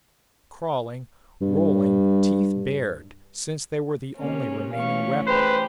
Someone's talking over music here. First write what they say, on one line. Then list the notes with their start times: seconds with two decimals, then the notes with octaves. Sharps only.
Crawling, rolling, teeth bared, since they were the only remaining weapon.
1.42 G2
4.17 C3 A#3 C#4
4.74 E3 A3 C#4 F5 C#6
5.27 G4 G#4 B4 C5